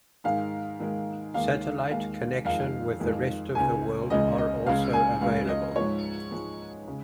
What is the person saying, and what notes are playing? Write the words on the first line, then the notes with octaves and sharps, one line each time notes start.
Satellite connection with the rest of the world are also available.
G#2 D#3 G#3 F5
G#2 D#3 G#3
D#2 D#3 G#3 F5
D#2 D#3 G#3 F5
F2 D#3 G#3 F5
F2 D#3 G#3
C#2 C#3 G#3 G#5
C#2 C#3 G#3 D#5
D#5
C#2 C#3 G#3 F5
G#5
C#2 C#3 G#3 F5
D#5
G#2 F3 G#3 C#5
G#2 F3 G#3
C#3 G#3